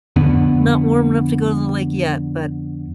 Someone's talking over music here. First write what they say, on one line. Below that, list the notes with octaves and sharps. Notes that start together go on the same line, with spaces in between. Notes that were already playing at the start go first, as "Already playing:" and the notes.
not warm enough to go to the lake yet, but
F2 D3 B3